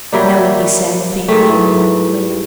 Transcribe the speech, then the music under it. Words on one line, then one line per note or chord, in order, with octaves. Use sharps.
"No," he said, faintly and mournfully.
F#3 G3 A#3 D5 E5 B5
G#2 A3 A#4 G5
E4 B4